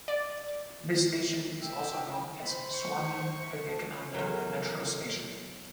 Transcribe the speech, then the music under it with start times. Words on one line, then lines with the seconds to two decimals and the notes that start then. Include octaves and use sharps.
This station is also known as "Swami Vivekananda metro station".
0.08 D5
1.62 E5 G5
2.43 C5 B5
2.74 C#6
3.41 E5
3.67 A5
4.14 E2 F#3 A4 A#4